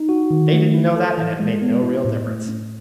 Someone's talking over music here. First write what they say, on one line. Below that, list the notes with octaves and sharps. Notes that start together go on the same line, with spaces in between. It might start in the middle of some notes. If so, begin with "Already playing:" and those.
But they didn't know that, and it made no real difference.
Already playing: D#4
F#4
D#3
A3
E4
A4
E3
G#3
B3
E4
A2
A3
C#4